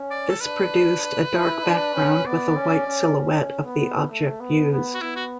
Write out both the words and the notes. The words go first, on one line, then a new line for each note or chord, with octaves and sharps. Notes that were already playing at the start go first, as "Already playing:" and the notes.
This produced a dark background with a white silhouette of the object used.
Already playing: C#4
D5
A4
D4 B4
E4
D4
C#4
B3 D5
C#4
C#4
C#4
B3
A3
B3
B3
F#4
B3 E4
F#4